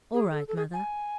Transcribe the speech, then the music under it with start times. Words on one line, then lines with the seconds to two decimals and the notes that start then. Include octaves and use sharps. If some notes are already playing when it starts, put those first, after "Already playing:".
'All right, Mother.
0.14 G#4
0.31 A4
0.48 A4
0.57 G#4
0.73 G#5